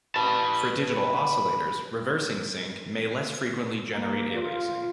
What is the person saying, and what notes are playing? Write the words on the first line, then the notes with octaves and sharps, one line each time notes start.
For digital oscillators, Reversing Sync may less frequently generate aliasing.
B4 A5
A#3
F4